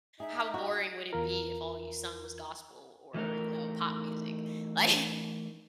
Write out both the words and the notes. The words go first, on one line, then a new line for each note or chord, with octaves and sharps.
how boring would it be if all you sung was gospel or, you know, pop music? Like
D#4 G#4 E5
F#4
E2 F4 A#4
E3 A3 D#4 A#4